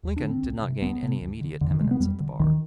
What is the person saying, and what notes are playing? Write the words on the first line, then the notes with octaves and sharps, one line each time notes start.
Lincoln did not gain any immediate eminence at the bar.
D#2
D4
D3
C4
C2
C3
D2 B3
C3
D2
D3
F2 D3
D#3
C3 G#3
B3
F2 G3
D3
D2 D#3